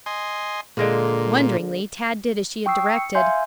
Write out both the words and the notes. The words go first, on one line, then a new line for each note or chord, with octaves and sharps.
Wonderingly, Tad did as she had directed.
D#5 G#5 C6
A#2 D3 G#3 A#3
G5 C#6 D#6 E6 C7
C#7
E5 F5 G#5 C6 G6